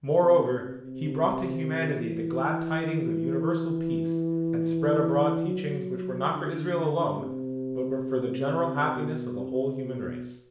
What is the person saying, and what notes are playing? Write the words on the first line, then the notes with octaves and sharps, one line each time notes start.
Moreover, He brought to humanity the glad tidings of universal peace, and spread abroad teachings which were not for Israel alone but were for the general happiness of the whole human race.
C3
C3
C3
E3
F#3
D3
C3
B2
C3
B2